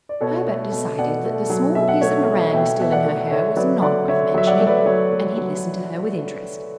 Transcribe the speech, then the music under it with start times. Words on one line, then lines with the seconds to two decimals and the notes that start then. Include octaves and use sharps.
Herbert decided that the small piece of meringue still in her hair was not worth mentioning, and he listened to her with interest.
0.09 D5
0.21 B2 A4 C#5
0.46 A3
0.72 B2
0.98 B2 D5 F#5
1.24 A3
1.50 F#3
1.75 B2 E5
1.88 F#5
2.01 A3 C#5 E5
2.27 B2
2.53 B2 E5 G5
2.80 B2 E5
2.92 D5 F#5
3.05 A3
3.21 F#5
3.31 D3 C#5 E5
3.56 F#3 B4 D5
3.82 D3 D5 F#5
4.08 D3 C#5 E5
4.34 F#3 E5
4.47 D5 F#5
4.60 A3
4.67 B4 D5
4.86 F#3 C#5 E5
5.12 A3
5.37 F#3